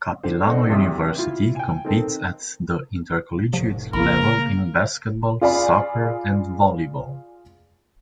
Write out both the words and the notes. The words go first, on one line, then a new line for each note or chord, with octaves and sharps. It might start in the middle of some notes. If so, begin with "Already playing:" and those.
Capilano University competes at the intercollegiate level in basketball, soccer, and volleyball.
D3 C5
C4 D#4 A4 C5 D5 F#5
B1 E2 C3 E5 D#6
E4 F4
G5 G#5
D#3 C4 A4
F1 A2 C3 F3
A#1 C#3 A#3 A#4 B5
F4 G#4 D5 F5 B5